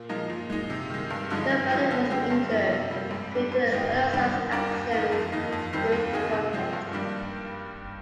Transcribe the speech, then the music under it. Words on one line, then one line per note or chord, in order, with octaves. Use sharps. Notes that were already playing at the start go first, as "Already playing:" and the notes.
Nobody was injured due to the other side's actions during the conflict.
Already playing: A#2
F3 G#3 D#4 A#4
A#2
G#3 D#4
C3
D#3 G#3
G2
D3 F3 G#3 D#4
G2
F3 G#3 C4 D#4
D3
G#3 C4 G4
G2
F3 A#3 D#4
C3
G3 A#3
G#2
G3 D4
G#2
D#3 G#3 D#4 G4
C3
D#3 G3 D4
D#3
G3 D4 G4 A#4
D#2
D#3 A#3 D#4 A#4
F2
D#3 A#3 D#4
F2
D#3 G3 C4
D#2
D#3 A#3 D#4 G#4
C3
F3 G#3 C4
G2
D#3 G3 A#3 D4